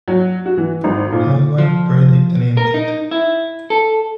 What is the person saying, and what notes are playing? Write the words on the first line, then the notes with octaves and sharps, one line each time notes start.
Housewife, verdict and indict!
F#3
F#4
E3
G#1
A#2
F3
A#4
D#4
E4
A4